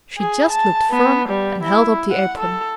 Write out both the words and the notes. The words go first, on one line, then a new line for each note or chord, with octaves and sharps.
She just looked firm and held up the apron.
G#4
A5
B3
G3
E4
F#5
A4